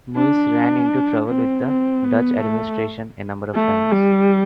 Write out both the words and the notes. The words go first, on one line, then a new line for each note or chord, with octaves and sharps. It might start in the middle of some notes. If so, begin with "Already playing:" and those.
Muis ran into trouble with the Dutch administration a number of times.
D4
C4
C4
B3
A3
A3
G3